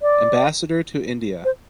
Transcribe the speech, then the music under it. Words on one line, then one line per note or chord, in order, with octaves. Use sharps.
Ambassador to India.
D5
C5